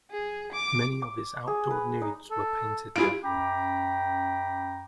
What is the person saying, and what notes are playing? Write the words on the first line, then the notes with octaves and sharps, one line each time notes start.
Many of his outdoor nudes were painted there.
G#4
D6
D6
G#4
B4
D#4
A4
G3 E4 F4 G#4 D7
F#2 C#4 G5 A#5 B5 D6